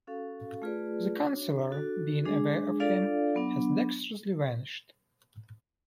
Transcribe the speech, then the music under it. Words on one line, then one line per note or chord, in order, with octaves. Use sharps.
The Chancellor, being aware of him, has dextrously vanished.
C#4 F#4 A4 F5
A3 F4 G#4 B4 D5
D4 F#4 C#5
D4 F#4 A4
G#3 D4 G#4
D4 F4 A4 D5 F5
F#3 B3 D4